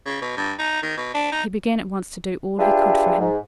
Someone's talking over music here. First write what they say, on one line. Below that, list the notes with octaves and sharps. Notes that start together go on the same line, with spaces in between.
He began at once to do all he could for him.
C#3
B2
G2
D#4
D#3
B2
D4
D#4
D4 F4 G4 G#4 B4 E5
G#2